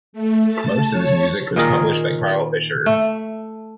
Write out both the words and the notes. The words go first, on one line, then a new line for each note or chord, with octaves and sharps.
Most of his music was published by Carl Fischer.
A3
A5
C#5
A#2 D#3 G#4 A#4
A3